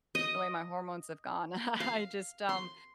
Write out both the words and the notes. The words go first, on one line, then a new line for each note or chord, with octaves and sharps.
the way my hormones have gone, I I just, um,
D#5
F5
C6